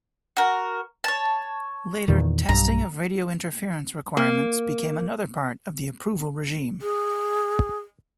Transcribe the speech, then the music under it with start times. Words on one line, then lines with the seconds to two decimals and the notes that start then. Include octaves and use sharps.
Later, testing of radio interference requirements became another part of the approval regime.
0.37 F#4 A#4
1.04 C#5 A5
2.08 E2 A#2 D#3
2.49 B1 G2 A#5
4.17 A#3
6.82 G#4